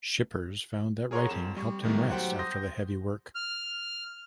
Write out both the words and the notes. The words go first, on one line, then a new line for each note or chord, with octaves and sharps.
Schippers found that writing helped him rest after the heavy work.
G#4 A#4 C#5 F#5 A#5 C6
F2 E7
G3 C#6
A2 D#3 G3 A3 B3
F#3 G4 C5 F#5
C6 D#6 G6 A#6
F6